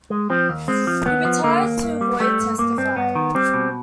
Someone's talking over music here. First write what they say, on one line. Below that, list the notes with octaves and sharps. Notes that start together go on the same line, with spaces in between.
He retired to avoid testifying.
G#3
F3 C4
D#2
G#3 C4
F3
D#2 B3
F3
D3 A#3
D#2
G2
G3
G3 A3
G2
G2 A#3
G2 C4
G2 B3
D#3
G3 C4
B2